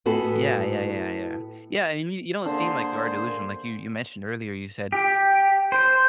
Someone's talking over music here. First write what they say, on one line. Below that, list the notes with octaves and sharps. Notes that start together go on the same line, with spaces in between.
Yeah. Yeah, yeah, yeah. Yeah, and you you don't seem like you are delusional, like, you you mentioned earlier, you said,
A2 B3 F#4 G#4 A4
D3 A#3 G#4 C5
G4
C5